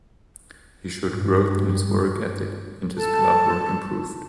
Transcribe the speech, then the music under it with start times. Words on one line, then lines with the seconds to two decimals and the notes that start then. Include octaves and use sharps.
He showed growth in his work ethic and his glove work improved.
1.11 G2
2.96 A4 A5